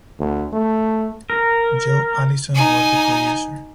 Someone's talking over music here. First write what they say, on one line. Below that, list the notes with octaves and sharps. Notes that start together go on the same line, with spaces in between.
Joe Allison was the producer.
D2
A3
A#4
D#4 G#5